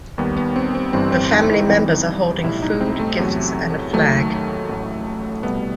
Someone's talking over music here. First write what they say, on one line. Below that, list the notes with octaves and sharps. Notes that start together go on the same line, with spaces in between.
The family members are holding food, gifts, and a flag.
D#2 D#3 G3 B3
B3
C4
C4
G1 G2 E3 G3 C4
C4
D#4
E4
E2 C3 E3 G3 D#4
B1 A2 G3 E4
D#4
C4
A3
E2 C3 F#3
D#2 D#3 F#3 A3
A1 A2 F#3
C2 B2 G3 B3